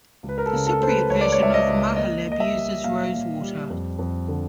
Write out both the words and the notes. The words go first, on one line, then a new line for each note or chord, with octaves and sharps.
The Cypriot version of mahaleb uses rosewater.
C#2
B4
A#4
A4
C#3
A4
A3 C5
B4
C#2 C#5
D5
C#5
C#2 E5
D#5
C#2
A#3 D#5
A#3
D#5
E5
G3
A#2 F5
A#2
G3
F2
F2
D3